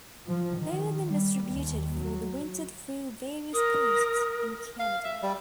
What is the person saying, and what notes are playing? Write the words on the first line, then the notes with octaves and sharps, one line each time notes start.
They were then distributed for the winter through various posts in Canada.
F3
D#3
G3
D#2
F#3
A#4 D#6
F5
E5
G3